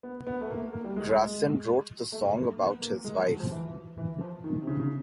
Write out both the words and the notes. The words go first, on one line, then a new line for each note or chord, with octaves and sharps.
Gracin wrote the song about his wife.
B3
B3
A3
A#3
A#3
G3
G#3
G#3
A3
A#3
B3
A#3
G#3
F3
F#3
F3
E3
E3
F3
D#3
C3
C#3
C#3